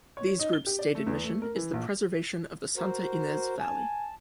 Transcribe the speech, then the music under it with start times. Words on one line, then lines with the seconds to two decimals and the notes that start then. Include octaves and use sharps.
These groups' stated mission is the preservation of the Santa Ynez Valley.
0.17 C#5
0.39 D#4
0.53 G7
0.67 G4
0.79 D5
0.95 A3
1.07 E2
1.24 A3
1.42 A#4
1.56 E3
1.74 A#1
2.76 F#4 A#4 C5
3.59 G#5 A5